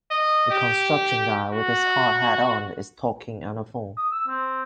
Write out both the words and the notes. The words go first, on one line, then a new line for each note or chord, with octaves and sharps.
A construction guy with his hard hat on is talking on the phone.
D#5
G4
F#4
D#6
E6
C4